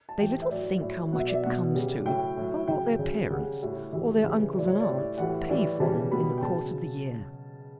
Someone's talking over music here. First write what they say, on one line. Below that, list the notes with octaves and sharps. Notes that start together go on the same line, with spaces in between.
They little think how much it comes to, or what their parents, or their uncles and aunts, pay for them in the course of the year.
A5
A2 E3 G3 G5
E5
A2 F#3 D5
A2 F#3
B2 F#3 F#5
E5
D5
E5
B2 F#3 F#5
C#3 G3
A2 F#3 G5
A2 F#3
C#3 F#3 G5
C#3 F#3
C#3 G3 F#5
A2 G3
C#3 E3 G3 E5
C#3 E3 G3
A2 F#3 D5
C#5
D5
A2 G3
A2 E3 G3 F#5
A2 E3 G3 D5
C#3 E3 G3 A5
B2 G3 B5
G5
C#3 F#3 A5